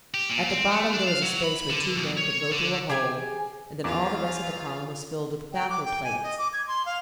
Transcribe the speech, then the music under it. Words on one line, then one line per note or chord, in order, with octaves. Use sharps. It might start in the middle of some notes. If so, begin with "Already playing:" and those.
At the bottom there was a space where two men could go through a hole; and then all the rest of the column was filled with baffle plates.
G4
A#2
C4
A3
D4
F5
F#3
B5
D3
B1
C#5
D3
G4 G#4 G5 G#5
E2 F4 F5 D6
G5
D6
G5
G#5
D#5
D6
G#6
C6
F5